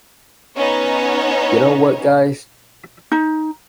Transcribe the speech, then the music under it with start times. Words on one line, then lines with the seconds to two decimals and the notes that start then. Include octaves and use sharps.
You know what, guys?
0.57 B3 C#4 D#4 C#5
3.12 D#4